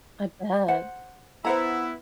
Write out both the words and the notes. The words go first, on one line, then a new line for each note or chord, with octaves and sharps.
I bet.
C5 F#5
B3 E4 C5 F#5 A#5